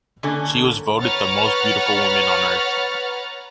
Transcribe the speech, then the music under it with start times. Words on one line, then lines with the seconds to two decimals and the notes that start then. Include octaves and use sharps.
She was voted the most beautiful woman on Earth.
0.23 D3 A#3 C#4 A4 G#5
1.00 B4 C#5 F#5 A#5 F6 A6